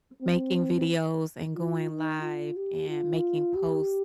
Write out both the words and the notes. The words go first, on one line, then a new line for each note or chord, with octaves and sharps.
making videos and going live and making posts
C4
F4
D#4
F4
G4
F4
G4